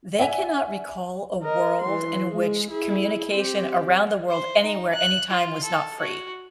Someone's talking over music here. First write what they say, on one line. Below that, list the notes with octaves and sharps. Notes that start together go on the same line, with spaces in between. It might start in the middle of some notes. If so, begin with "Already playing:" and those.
they cannot recall a world in which communication around the world anywhere, anytime was not free.
D5 E5 F#5 G#5 B6
A#4 D#5
E3 C6
G#3 G#4
E4 G#4
C4 G4
C5
D#4
F#6
F4
A4
F#4